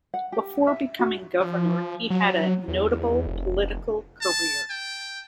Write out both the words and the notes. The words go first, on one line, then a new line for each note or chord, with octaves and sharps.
Before becoming governor, he had a notable political career.
F#5
G4
E5
F#4
F3
F#3
E2
F1
A5
G5